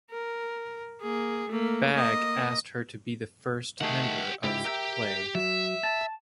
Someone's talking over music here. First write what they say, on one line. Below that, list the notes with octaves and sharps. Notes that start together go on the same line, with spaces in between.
Bagge asked her to be the first member of Play.
A#4
A#3 G#4
A3 A#3
A#3 D#5
D#3 A3 G4 G#4 F#5
C#2 G#2 E4 G4
A#4 E5 G5
F#3 E5
A5